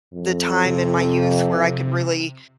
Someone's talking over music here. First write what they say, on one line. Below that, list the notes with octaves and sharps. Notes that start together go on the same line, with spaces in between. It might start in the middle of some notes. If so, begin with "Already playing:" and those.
the time in my youth where I could really,
F2
C3